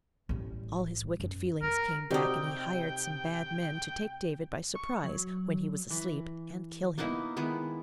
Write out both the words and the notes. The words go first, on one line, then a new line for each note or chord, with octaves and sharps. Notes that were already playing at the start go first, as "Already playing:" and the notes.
All his wicked feelings came back, and he hired some bad men to take David by surprise when he was asleep, and kill him.
A1 G3
F#2
G#3 A#4
C3 D#4 F#4 G4 D5 G5
C#6
F#3
E3
A#3 B3 D#4 E4
D#3 G#3 B3 E4